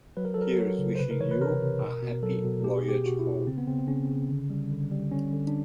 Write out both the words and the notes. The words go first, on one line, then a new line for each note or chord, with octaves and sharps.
Here's wishing you a happy voyage home.
F#3 B4
A#4
A4
F#3 A#4
F#3
C#3
C5
C3 B4
A#4
E3 C#5
B4
C3 A#4
C3
B2
B2
F#3 A4
B2
B2 G4
G#4
B2 G4
B2 F#4
E4
B2
C#3 C4
B3
C#3 C4
C4
C#3 C#4
C#3
D3
G3
D3
G3
D3 C#4
D3
D4